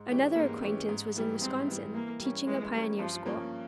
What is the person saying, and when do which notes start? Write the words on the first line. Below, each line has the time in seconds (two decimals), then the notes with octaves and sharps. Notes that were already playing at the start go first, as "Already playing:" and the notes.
Another acquaintance was in Wisconsin, teaching a pioneer school.
Already playing: G#2
0.09 E3 G#3 C#4 G4
0.36 G#2 A#3
0.62 E3 G#3 C#4 G4
0.89 G#2
1.16 E3 G3
1.41 G#2 C4
1.68 E3 G3
1.94 E3 A#3
2.20 G3 A#3 C#4
2.47 E3 G#3
2.74 G3 A#3 C#4
2.99 G2 F3
3.26 F3 A#3 C#4